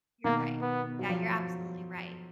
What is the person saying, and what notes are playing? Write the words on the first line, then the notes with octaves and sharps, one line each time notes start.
You're right. Yeah, you're absolutely right.
B2 D#3 A#3
B3
F#3
F3